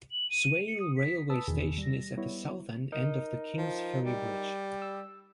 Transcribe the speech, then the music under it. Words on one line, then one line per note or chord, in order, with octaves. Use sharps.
Swale railway station is at the southern end of the Kingsferry Bridge.
F#7
D#7
C#7
D#6
B6
B4 A5 B5 D#6 E6
A1 E2 B2 D#3 G#4
G3 A#6
G3 B3 E4 C#5
D#4 A#4
F3
G3
E6